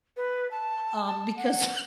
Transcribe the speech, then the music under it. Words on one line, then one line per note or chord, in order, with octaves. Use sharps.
um, because,
B4
A5
A5
F#5